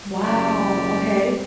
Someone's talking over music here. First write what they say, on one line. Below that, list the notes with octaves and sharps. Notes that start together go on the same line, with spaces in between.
Wow, okay.
F#1 G4 D5